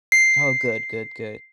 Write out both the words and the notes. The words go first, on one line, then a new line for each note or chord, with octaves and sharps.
Oh, good, good, good.
C7